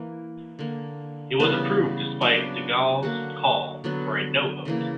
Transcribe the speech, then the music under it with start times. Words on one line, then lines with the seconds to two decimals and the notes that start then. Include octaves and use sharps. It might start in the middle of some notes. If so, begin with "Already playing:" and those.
It was approved despite De Gaulle's call for a "no" vote.
Already playing: E3 A#3
0.59 D3 A#3
1.40 C#3 E3 G3 B3 B4
2.21 C#3 F#3 B3 D4 D5
3.03 D3 F#3 A#3 F#4 F#5
3.84 D3 F#3 B3
4.65 C#3 E3 A#3